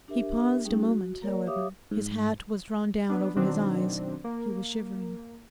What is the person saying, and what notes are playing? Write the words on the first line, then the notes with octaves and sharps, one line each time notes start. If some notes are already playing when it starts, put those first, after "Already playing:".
He paused a moment, however; his hat was drawn down over his eyes; he was shivering.
D4 G4 A#4 E5
G3 A3 C#4 D#4 G#4
F#4
A#3 A#4 C#5 D5
G4 C#5 E5 F5 D6 D#6
G#2
B3 D4
B2 D#3 F#3 C4 D4
A#3